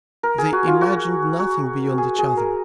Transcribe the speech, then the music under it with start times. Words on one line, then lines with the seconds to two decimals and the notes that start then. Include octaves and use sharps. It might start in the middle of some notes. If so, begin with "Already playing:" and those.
They imagined nothing beyond each other.
0.23 A#4
0.38 G#4
0.53 F#4
0.67 F4
0.81 F#4
1.39 F#4
1.98 G#4
2.18 G#4
2.37 A#4